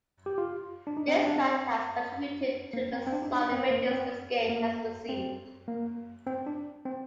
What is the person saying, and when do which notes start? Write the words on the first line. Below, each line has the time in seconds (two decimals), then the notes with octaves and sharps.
This fact has contributed to the solid ratings this game has received.
0.26 G4
0.38 F4
0.87 D4
0.97 D#4
1.08 C4
1.17 D4
1.27 D4
1.36 C4
2.73 A#3
2.93 C4
3.07 C4
3.12 D4
3.22 D#4
3.33 D4
3.52 C4
3.71 A#3
3.91 C4
4.49 A#3
5.09 C4
5.68 A#3
6.26 C4
6.46 D4
6.85 C4